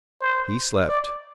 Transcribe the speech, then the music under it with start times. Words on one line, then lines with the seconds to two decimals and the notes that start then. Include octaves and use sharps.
He slept.
0.21 C5
0.88 D5